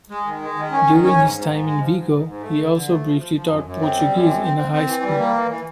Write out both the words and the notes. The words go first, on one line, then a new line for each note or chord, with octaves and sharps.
During his time in Vigo, he also briefly taught Portuguese in a high school.
G#3
D#3
G#3
D#3
C#4
D#3
C#4
G#2
G#2
G#2
G#3
F3
G#2
G#2
G#2
A3
D3
D3
A3
F3
F3
F3
F#2
F#2
C4
G3
F#2
C4
C4
C4
C4
E3
G3
A#3
E3
E3